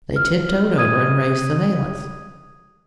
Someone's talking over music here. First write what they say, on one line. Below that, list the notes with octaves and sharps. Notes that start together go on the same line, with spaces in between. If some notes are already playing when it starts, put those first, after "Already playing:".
They tiptoed over and raised the valance.
F6
D#6 G#6 D#7